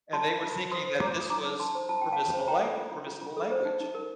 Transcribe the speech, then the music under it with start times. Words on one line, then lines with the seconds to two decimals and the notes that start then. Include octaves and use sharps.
and they were thinking that this was permissible lang permissible language.
0.13 F4 A5 C6
0.28 F4
0.43 F4
0.57 F4
0.71 C5 C6 D#6
0.87 C5
1.01 F4 A#5 D6
1.16 F4
1.21 D#6
1.30 D#4 A#5 D6
1.46 D#4
1.59 D#4 A5 C6
1.75 C5
1.89 F4 A5
2.01 F4 G5
2.12 F5 A5
2.19 F4
2.34 C5
2.48 F4 G5 A#5
2.63 A4
2.78 F4
2.92 F4
3.07 F4
3.21 F4
3.37 A4
3.51 C5
3.65 D#4
3.80 D#4
3.95 A#4